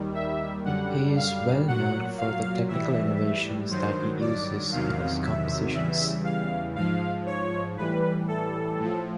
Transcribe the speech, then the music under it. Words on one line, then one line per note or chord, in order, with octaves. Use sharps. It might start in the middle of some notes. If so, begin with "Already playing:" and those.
He is well known for the technical innovations that he uses in his compositions.
Already playing: D#2 D#3 G3
E5
F#2 D3 G3 F#5
F5
A#2 F#3 F#5
F5
A2 E3 G3 E5
G2 D#3 F#3 C5
D5
E2 C3 D#3 F#3 F5
E5
E2 C#3 E3 G3 E5
F5
G#2 F3 F5
C#5
A2 E3 G3 B4
A4
A2 F3